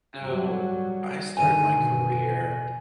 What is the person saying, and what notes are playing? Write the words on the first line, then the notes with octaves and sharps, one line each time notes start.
So, I started my career
F#3 G3
D3 D#3 G#5 D#7
B2